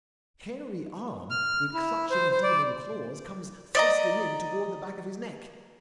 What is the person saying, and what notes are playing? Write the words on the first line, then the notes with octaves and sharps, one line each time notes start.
A hairy arm with clutching demon claws comes thrusting in toward the back of his neck.
F6
E4
C5
C5
D5
D5 D#5 A#5